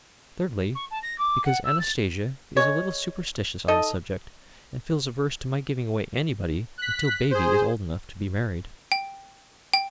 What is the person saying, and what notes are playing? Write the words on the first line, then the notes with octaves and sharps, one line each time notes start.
Thirdly, because Anastatia is a little superstitious on the subject and feels averse to my giving away anybody until baby is old enough to be married.'
C#6
A5
A#6
D6
F#5
E6
A6
G#3 C#5
D#4 A4 D#5
F#6 B6
G#4 C5
G5
G5